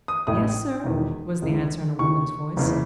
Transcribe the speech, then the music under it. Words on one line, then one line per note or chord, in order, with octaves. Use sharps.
"Yes, sir," was the answer, in a woman's voice.
D#6
A1 A2 E3 D#6
E1 E2 D#3
C#2 C#3 E3
D#2 C#3 E3 C#6
F#1 E2 C#3 E3